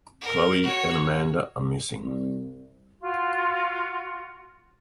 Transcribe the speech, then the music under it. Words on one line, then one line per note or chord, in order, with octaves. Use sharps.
Chloe and Amanda are missing.
A#4
F#4 C#5
C2
F4 F#4